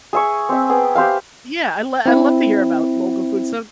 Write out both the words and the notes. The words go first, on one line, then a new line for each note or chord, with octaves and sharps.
Yeah, I lo I love to hear about local food, so
G#4 E5 C#6
C4 E5
B3 G#4 G5
G4 C5 E5 F5
C4 E4